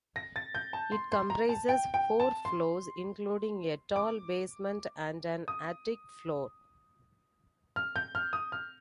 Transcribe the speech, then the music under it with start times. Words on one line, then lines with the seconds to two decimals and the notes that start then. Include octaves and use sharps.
It comprises four floors, including a tall basement and an attic floor.
0.16 A#6
0.36 A6
0.55 G6
0.73 A5
0.92 C6
1.12 C6
1.30 A#5
1.49 A5
1.69 G5
1.94 G5
2.20 A5
2.45 C6
3.96 D6
5.48 D#6
7.76 F6
7.96 G6
8.15 F6
8.33 D#6
8.52 F6